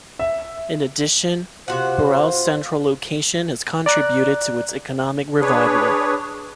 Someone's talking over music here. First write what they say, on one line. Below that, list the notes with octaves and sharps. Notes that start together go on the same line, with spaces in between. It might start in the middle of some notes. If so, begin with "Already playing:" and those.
In addition, Burao's central location has contributed to its economic revival.
E5
C3 F4 F#4 C5 F#5
D5 A#5 F#6
D4 G#4 B4 C#5